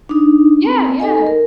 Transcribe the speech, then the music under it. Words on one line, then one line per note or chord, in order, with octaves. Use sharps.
Yeah, yeah.
D4 D#4
C4
D#4 A4 D#5 G#5
A#4